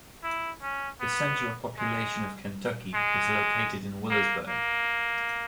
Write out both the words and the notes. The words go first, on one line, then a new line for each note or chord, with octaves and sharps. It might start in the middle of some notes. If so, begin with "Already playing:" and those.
The center of population of Kentucky is located in Willisburg.
E4
C#4
B3
G#3
G#3
A#3
A#3